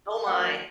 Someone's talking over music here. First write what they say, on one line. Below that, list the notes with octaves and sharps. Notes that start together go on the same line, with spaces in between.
Oh my.
F#3 A#3 D4 F#5